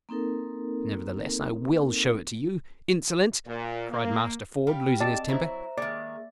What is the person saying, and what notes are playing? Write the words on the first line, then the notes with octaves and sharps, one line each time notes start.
"Nevertheless, I will show it to you, insolent," cried Master Ford, losing his temper.
A#3 C4 D#4 A4 A#4
A#2
A#3
G3 G4 F5
C4 D5 D#5 A5
F#3 E4 C5 E5 A#5
D#3 G#3 A#3 D5 E5